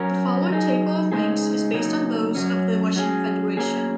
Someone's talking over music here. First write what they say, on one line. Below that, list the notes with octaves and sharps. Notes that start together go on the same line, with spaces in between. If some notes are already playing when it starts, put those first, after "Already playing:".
The following table of Ranks is based on those of the Russian Federation.
Already playing: F#3 C#4 F#4 A#4
F#3 D#4 G#4
C#3 G#3 D#4 G#4
C#3 F#3 A#3 D#4
F#2 F#3 C#4
F#3 C#4 G#4
F#3 A#3 C#4 G#4